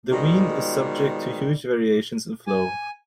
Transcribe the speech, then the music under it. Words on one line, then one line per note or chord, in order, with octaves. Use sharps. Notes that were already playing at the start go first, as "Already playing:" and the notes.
The Wien is subject to huge variations in flow.
B2 D#3 F3 G3 G#3
G#5